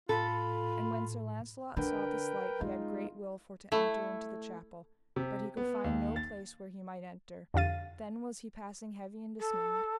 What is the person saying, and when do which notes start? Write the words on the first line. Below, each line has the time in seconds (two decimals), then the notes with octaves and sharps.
And when Sir Launcelot saw this light he had great will for to enter into the chapel, but he could find no place where he might enter; then was he passing heavy and dismayed.
0.09 A2 F4 A4 B5
1.77 D3 A#4 B4 G5
2.61 G#3 C#4 D#4 F4
3.72 A3 E4
5.16 C3
5.57 B3
5.84 D#2
6.16 A6
7.54 F2 D3 G4 F5 A6 D#7
9.40 A4